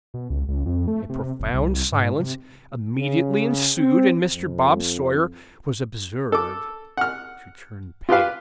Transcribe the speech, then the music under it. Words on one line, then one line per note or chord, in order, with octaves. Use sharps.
A profound silence immediately ensued; and Mr. Bob Sawyer was observed to turn pale.
B2
C#2
C#2
F2
A3
C3
F1
C2
G#2
C3
C#3
C4
F2
A4 D6
F#5 F6
F4 G4 B4 F5